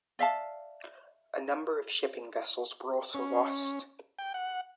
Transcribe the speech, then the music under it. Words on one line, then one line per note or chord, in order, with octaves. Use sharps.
A number of shipping vessels were also lost.
D5 E5 F5 A5
C#4
G5
F#5